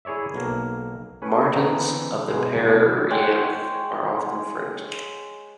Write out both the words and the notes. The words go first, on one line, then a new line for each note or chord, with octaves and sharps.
The margins of the perianth are often fringed.
E4 G#4 C#5 D5 E5
B1 A#3
C#4 B4
D3 E3 B3 C4 D#4
G#2 B2 E3 G#3
B2 F#3 A3 D4
G#3 C#5 F#5 G5